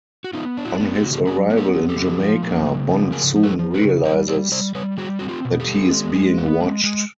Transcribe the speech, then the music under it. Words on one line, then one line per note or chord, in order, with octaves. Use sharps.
On his arrival in Jamaica, Bond soon realises that he is being watched.
F#4
B3 D#4 F4
D4
E4 F#4
B3
G4
C#3 F#4
F4 G4
F#3 F#4 G#4
B3
G4 A4
F#3
G4 A4
F#3
F3
A#3
C#3
F3
C#3 G#4 A#4
F3
A4 B4
F3
A4 B4
C#3
G3 A#4 C5
G3 C5 D5
G3 C5 D5
G3 B4 C#5
G3 F#4 G#4
C4 F#4
F4 G4
B2
G4 A4
G3
G#3
G#3
B3
G#3
G#3